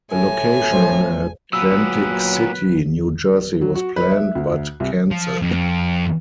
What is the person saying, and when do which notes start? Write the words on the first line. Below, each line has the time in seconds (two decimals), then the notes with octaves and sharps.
A location in Atlantic City, New Jersey was planned but canceled.
0.11 A2 G#5
0.72 F3 A3 C5
1.53 A#2 F#3 B3 B4 E6
3.61 F#3
3.75 F#4
3.96 B4
4.11 E5
4.35 D2
4.80 C2
5.11 F3
5.42 F2